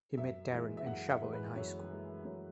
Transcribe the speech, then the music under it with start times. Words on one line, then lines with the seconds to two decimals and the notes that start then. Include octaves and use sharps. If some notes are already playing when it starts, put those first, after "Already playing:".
He met Daron and Shavo in high school.
0.17 F#2 E5
0.52 E3 G#3
0.77 E5
0.86 F#2 F#5
1.10 E5
1.22 E3 G#3
1.33 B4
1.56 F#2 C#5
1.90 E3 G#3
2.25 F#2 C#5